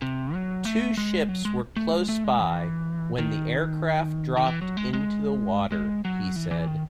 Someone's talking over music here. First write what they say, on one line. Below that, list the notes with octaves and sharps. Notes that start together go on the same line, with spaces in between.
Two ships were close by when the aircraft dropped into the water, he said.
C3
F#3
A3
G#3
F#3
G#3
A3
G#3
A3
G#3
E3
D#3
D#3
E3
F#3
G#3
G#3
G#3
F#3
E3
E3
D#3